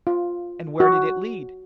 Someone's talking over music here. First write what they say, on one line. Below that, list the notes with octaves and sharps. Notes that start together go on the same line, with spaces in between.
"And where did it lead?"
F4
F#4